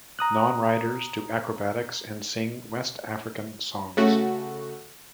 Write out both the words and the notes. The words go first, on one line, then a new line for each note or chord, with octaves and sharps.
Non-riders do acrobatics and sing west African songs.
A#5 D#6 F#6
C#3 A3 F#4